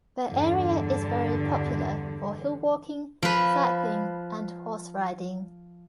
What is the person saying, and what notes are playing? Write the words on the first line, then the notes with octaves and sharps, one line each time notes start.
The area is very popular for hillwalking, cycling and horseriding.
E2 G2 D3
F3 B4